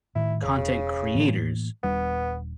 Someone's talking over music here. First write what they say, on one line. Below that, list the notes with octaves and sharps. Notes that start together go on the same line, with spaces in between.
content creators
A2 D#3 E4
E1 C#3
A2 E3 A#3
D#1 G3 B3 D4